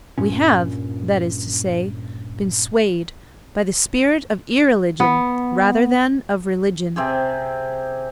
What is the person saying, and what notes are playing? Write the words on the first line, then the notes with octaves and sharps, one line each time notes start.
We have, that is to say, been swayed by the spirit of irreligion rather than of religion.
G2 A#2 C#4
B3
C3 C4 G4 G#4